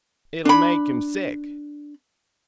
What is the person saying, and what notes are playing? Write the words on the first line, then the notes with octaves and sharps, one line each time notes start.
"It'll make him sick."
D4 B5